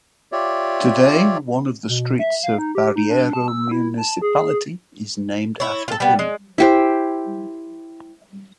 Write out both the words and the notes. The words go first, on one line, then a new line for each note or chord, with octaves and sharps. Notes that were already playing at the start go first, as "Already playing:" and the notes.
Today, one of the streets of Barreiro municipality is named after him.
F4 G4 C#5 D5 E5
B2
E5
F5
D#4
G4
D#4
D4
A5
E6
E4
A5
G#4
E4 C#5
F4 A4
G3 B3
G#3
E4 G4 C5